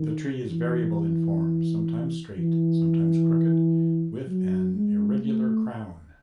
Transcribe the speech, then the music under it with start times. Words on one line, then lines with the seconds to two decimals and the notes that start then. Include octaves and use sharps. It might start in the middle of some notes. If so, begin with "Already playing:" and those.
The tree is variable in form, sometimes straight, sometimes crooked, with an irregular crown.
Already playing: D#3
0.49 E3
2.38 E3
4.27 F#3
4.75 G#3
5.22 A3